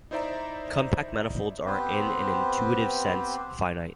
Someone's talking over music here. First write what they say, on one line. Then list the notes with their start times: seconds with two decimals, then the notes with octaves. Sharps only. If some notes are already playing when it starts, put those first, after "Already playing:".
Compact manifolds are, in an intuitive sense, "finite".
0.11 D#4 E4 C5 D5 E5 A#5
1.66 B3 C4 G4 B4 C5